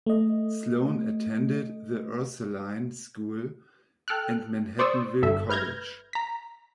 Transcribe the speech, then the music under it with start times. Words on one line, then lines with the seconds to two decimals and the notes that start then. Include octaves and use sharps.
Sloan attended The Ursuline School and Manhattanville College.
0.06 A3 D#5
4.08 A4 G5 F6 F#6
4.79 C5 D5 C6 C#6 D#6 E6
5.22 G1 G2 A4 E5
5.49 B4 F6 G6 G#6 A#6
6.13 A#5 B6